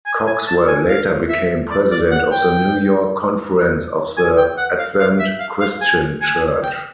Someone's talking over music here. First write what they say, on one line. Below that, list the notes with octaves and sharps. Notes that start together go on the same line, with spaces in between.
Cogswell later became president of the New York Conference of the Advent Christian Church.
G#5
G#5
A5
G#5
F5
E5
D5
D5
F#5
G5
G#5
G5
F#5
F5
F5
E5
F5
F5
G#5
G#5
G5